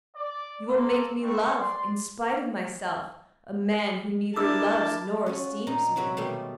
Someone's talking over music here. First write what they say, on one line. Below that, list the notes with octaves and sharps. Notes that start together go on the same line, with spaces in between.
You will make me love, in spite of myself, a man who neither loves nor esteems me.
D5
A#3 A4 C6
G3 A3 C4 D4 F4 C#6
D5 C6
D4 E4 A#4 A5 D6 E6
C#4 F4 F#4
A#2 D#4 A#5
C3 F#3 F#4 E5 A#5
B2 D#3 G3 A3 G4